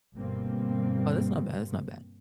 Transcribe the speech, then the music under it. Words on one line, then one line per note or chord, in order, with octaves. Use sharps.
Oh, that's not bad, that's not bad.
G1 G2 B2 G3 A#3 C4